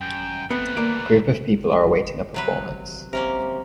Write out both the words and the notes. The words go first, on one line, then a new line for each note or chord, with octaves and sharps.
A group of people are awaiting a performance.
F#2 G5
D#2 A3 B3 C4 B4
A#3 D5
C3 F#3 B4
C3 A#3 C#4 A#4